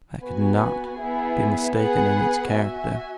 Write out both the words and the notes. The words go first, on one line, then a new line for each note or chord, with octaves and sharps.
I could not be mistaken in its character.
B3 F#4 B4 G#5
B3 E4 G#4
B3 G#4 B4 F#5
F#4 E5 G#5